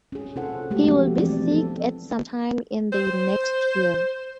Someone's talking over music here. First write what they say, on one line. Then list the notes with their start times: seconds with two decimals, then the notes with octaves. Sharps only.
He will be sick at some time in the next year.
0.12 C#4 G#4
0.36 C3 C#4 F4 A4 C5 F#5
0.71 G#3 A3 F#4 G4
0.84 F3 G#3 B3 C4
1.18 E3 F3 B3 C4 D4 D5
1.51 B3 A4
2.92 C5